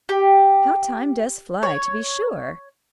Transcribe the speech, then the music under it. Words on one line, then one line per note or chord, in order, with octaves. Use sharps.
How time does fly, to be sure!
G4
C#5